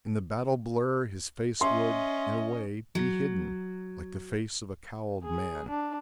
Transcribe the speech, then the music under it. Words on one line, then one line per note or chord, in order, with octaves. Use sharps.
In the battle-blur his face would, in a way, be hidden, like the face of a cowled man.
C#4 D#5 E5 C6
F#3
G#4
D4